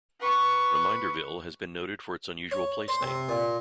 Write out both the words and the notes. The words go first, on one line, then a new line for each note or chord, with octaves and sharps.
Reminderville has been noted for its unusual place name.
B4 C#6
C#5
C5
C3
A#2